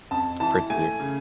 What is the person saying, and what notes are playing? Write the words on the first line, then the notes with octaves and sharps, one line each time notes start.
Pray clear
F2 A5
E3 A5
A3 G#5
C#3